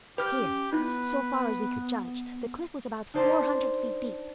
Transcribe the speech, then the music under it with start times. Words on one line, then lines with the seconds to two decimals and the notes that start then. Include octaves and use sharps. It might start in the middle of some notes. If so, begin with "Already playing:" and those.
Here, so far as we could judge, the cliff was about four hundred feet deep.
0.18 G4 B4 F6 G6
0.36 C#4
0.73 B3 D#4 E4 B4
3.14 D4 D#4 C5 D5 A5 C6